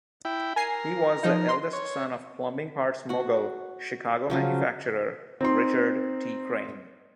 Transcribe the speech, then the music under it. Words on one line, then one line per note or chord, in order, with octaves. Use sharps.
He was the eldest son of plumbing parts mogul, Chicago manufacturer, Richard T. Crane.
E4 G5
A#4 G#5 C7
F3 D#4
C6
C#5
F#4 F#5
C#3 F3 F#3
C4 D#4 C6